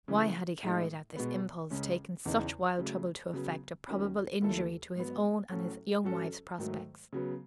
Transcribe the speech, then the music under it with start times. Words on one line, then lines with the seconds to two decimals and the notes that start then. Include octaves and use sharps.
Why had he carried out this impulse--taken such wild trouble to effect a probable injury to his own and his young wife's prospects?
0.08 C#3 E3 A3
0.63 A2 G#3 D#4
1.16 B2 G#3 B3
1.70 C#2 C#3 G#3 C#4
2.25 E2 C#3 E3 B3 D#4
2.79 C#3 F#3 A3
3.33 C#3 F#3 B3
3.87 D#2 D#3 F#3 C#4
4.42 D#2 D#3 A3 E4 A4
4.96 G#2 F#3 B3
5.50 A2 F#3 C#4 F#4 A4
6.04 G#2 F#3 C#4 F#4 A4
6.58 G#2 D#3 F#3 A3
7.13 C#3 F#3 B3